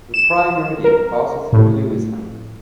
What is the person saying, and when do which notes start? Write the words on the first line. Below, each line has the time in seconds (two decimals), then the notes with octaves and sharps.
The Prime Meridian passes through Lewisham.
0.14 E7
0.84 A#4
1.52 A2